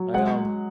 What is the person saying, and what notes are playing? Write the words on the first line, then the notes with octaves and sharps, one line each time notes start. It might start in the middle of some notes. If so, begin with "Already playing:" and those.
I, um
Already playing: F#3
G#3 F#5